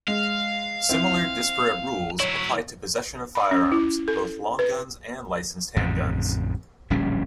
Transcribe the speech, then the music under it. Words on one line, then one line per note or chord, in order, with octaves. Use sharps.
Similar disparate rules apply to possession of firearms, both long guns and licensed handguns.
G#3 F5
C4 E4
F#3 E4 C#5 F#7
B5
C#4
E4
A4
B4
A1 F2 G#2 C#3
D1 A#1 G3 C#4